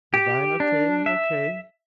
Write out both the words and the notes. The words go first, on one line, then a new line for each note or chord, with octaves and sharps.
Divine, okay, okay.
G4
D4
E5